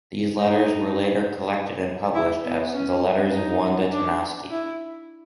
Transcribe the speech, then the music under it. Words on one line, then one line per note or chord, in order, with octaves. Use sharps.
These letters were later collected and published as "The Letters of Wanda Tinasky".
D#4
E4
B3
C#4
D#4
D4
E4